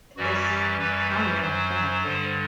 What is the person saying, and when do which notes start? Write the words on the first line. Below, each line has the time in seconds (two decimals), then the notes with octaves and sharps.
Eh is I don't even understand.
0.17 F#2 E3 G3 F#4
0.48 G4
0.79 F#2 E3 G3 B4
1.09 C5
1.41 F#2 F#3 C5
2.03 G2 D3 G3